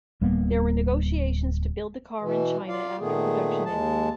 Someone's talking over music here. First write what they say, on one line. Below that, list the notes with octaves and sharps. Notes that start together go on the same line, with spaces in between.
There were negotiations to build the car in China after production ended.
D1 G3 A#3 B3
B2 E3
F4 D5 F5
A#2 D#3 A3 B3 G#4
D#2 G#3 A5